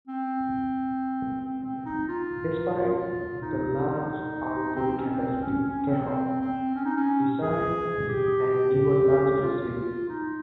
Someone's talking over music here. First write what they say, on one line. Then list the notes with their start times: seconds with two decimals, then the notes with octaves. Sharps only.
Despite the large output capacity, Kehoe desired an even larger facility.
0.08 C4
1.41 C4
1.63 C4
1.85 D#4
2.08 F4
2.74 F4
3.42 D#4
4.75 C4
4.97 C#4
5.08 C4
5.42 C#4
5.64 C#4
5.86 C4
6.08 C4
6.41 C4
6.75 C#4
6.85 D#4
6.96 C#4
7.42 G#4
8.08 G4
9.42 F4
10.09 D#4